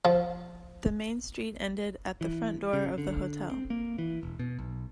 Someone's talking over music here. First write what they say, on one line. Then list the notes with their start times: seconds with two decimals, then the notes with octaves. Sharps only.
The main street ended at the front door of the hotel.
0.05 F3
2.21 E3
2.73 C#3
2.98 D3
3.51 C4
3.70 A#3
3.98 E3
4.23 E1
4.39 B2
4.59 B1